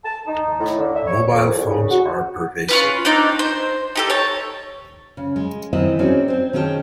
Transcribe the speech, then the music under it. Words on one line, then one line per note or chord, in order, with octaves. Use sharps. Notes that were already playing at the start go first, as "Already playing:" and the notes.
Mobile phones are pervasive.
A5
D#4
A2
D3
E5
C#5
F2
C2
C#3
F#4
C#4 F4 B4
C4 D4 D#4 D6
C5
D#4 G4 A4
C#5 A5
C#3
G#3
D#3 E3 C4 E4 D#5 E5
C4 C#4 D#4 F#4 G#4 D5
C4 C5
D#3 C#4 G#4 D#5 G5 A5